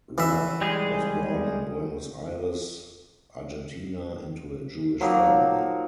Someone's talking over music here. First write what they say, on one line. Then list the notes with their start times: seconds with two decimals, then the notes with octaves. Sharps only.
Roth was born in Buenos Aires, Argentina into a Jewish family.
0.18 E3 E5
0.61 G3 G#3 G#4
5.00 F3 F#3 A#3 D#4